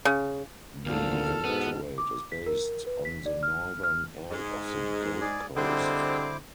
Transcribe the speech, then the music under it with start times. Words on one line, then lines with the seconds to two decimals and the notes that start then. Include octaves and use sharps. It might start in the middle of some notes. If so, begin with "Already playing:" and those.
The electorate is based on the northern end of the Gold Coast.
0.05 C#3
0.86 G#1 D2 A#2 A#3 A4 F6
1.45 G#2 B2 B3
1.98 D6
2.32 B6
2.46 A#4
2.86 B4
3.05 B6
3.26 D5
3.43 F6
3.84 F6
4.31 G#2 G#3
5.21 G#4 D5 G#5
5.56 D3 G3 G#3 C4 E4 C5 D6